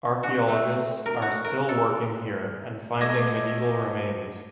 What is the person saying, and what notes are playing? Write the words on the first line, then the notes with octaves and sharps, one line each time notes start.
Archeologists are still working here and finding medieval remains.
F#4
A3
A#4
F#4
A#4
A4
A3 D#5 D6 G#6 A#6